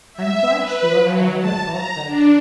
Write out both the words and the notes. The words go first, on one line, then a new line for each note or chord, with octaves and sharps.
"I am quite sure I never thought that!"
E5
B4
F#3
A5
A#5
D4